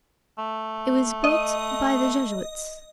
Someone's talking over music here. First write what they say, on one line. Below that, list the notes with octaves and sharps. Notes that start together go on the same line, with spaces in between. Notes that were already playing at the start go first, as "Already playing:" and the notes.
It was built by the Jesuits.
A3
D#5